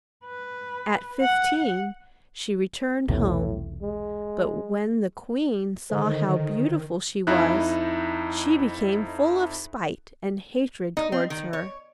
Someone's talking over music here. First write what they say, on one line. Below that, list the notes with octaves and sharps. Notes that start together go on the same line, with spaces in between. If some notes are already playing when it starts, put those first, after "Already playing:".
At fifteen she returned home, but when the Queen saw how beautiful she was, she became full of spite and hatred toward her.
B4
F#5
B1 E2 A2 C3
G#3
D3 D#3 A4 C5 D#5
F2 D#4 E4 F#6
D#4
C4
D#3
C#5